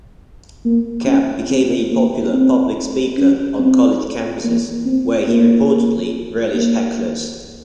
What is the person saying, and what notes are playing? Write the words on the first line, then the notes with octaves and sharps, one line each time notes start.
Capp became a popular public speaker on college campuses, where he reportedly relished hecklers.
A#3
C#4
C4
A#3
C4
C#4
C4
A#3
C4
A#3
A#3